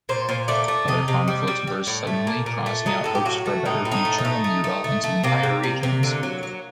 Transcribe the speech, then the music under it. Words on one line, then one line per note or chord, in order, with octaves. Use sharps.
Other conflicts burst suddenly, crossing out hopes for a better future and the development of entire regions.
A#2 C5
A#2 C5
A3 D5
A3
C3 D#5
C3
G3
G3
G3
A2
A3
A#2
A#2
A3
F#3 D#5
A2 A4
G4
F#3 F#4
A3
A2 D#4
A2
D#4
A3
D#4
A3
A3
A3
A3
A3
C3 A#3
G3
C3
C3
D3
F#3
F#3